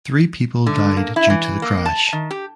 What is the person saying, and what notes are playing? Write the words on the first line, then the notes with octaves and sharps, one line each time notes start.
Three people died due to the crash.
D3
A#3
E4
E3
A#3
A5
D#3
G4